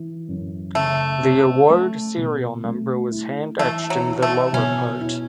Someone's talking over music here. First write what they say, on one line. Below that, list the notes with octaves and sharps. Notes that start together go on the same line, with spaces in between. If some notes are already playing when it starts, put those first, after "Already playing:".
The award serial number was hand etched in the lower part.
Already playing: E3
F#2
C#3 A3
C#4
A3
B2
A3
E4
E3 A3
F#3
E4
A3
B2 C#4
E4